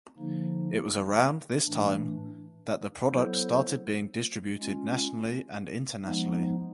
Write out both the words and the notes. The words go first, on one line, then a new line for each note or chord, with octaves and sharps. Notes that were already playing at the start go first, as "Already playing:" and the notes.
It was around this time that the product started being distributed nationally and internationally.
D3 F3 A#3 D#4
A2 E3 A3 D4
F#3 B3 E4 A4 C5
G#3 C#4 F4
F3 G#3 B3 D#4